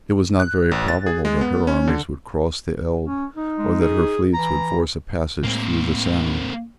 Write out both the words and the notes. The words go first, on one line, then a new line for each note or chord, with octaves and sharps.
It was not very probable that her armies would cross the Elbe, or that her fleets would force a passage through the Sound.
F#6
A1
A6
G#4
G#3
B3
C#4
D3
C#4
D#4
G#3
G#4
E3 A#5
A2 G#3 A#3 C4